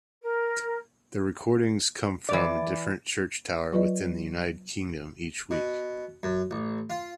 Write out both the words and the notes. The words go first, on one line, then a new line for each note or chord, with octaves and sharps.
The recordings come from a different church tower within the United Kingdom each week.
A#4
E3 D5
F#3 F4 B4 D5 D#5
B2
F#2
A1
F4